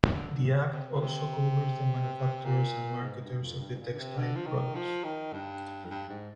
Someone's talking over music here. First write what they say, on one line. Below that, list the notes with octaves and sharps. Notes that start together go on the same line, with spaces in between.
The act also covers the manufacturers and marketers of the textile products.
D3
D3
C3
C3
A#2
C3
A#2
G#2
G2
F2
G2
G#2
A#2
D3
C3
D3
F3
D#3
F3
D#3
G2
F2
G2
G#2